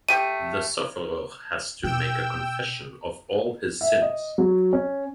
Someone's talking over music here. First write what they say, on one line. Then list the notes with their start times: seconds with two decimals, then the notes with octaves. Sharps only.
The sufferer has to make a confession of all his sins.
0.09 A3 G4 G5 D#7
1.84 B2 G5 E6
3.81 E5
4.02 D#5
4.38 F#3
4.73 C#4